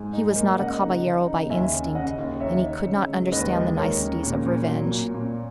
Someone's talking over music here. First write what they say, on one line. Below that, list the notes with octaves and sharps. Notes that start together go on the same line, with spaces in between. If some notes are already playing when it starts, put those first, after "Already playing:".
He was not a /caballero/ by instinct, and he could not understand the niceties of revenge.
Already playing: G#2 G#5
D#4
A#3
C#3 D#5 F#5
D#4
C#3
D#4
D#2 E5 G#5
C#3
C#3 D#5 F#5
D#2
D#4 C#5 E5
D#4
C#3
G#3
D#2 B4 D#5
G#3
D#2 A#4 C#5
C#3
A#2
A#2
F#3
A#2
A#2